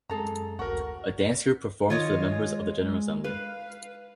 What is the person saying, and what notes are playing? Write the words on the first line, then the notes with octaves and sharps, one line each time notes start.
A dance group performs for members of the General Assembly.
F#2 G#3 G#4 A4 A#5
G#1 D2 F#4 A#4 F#5
D#3 F4 C#5 D#5
G#3
B4 F5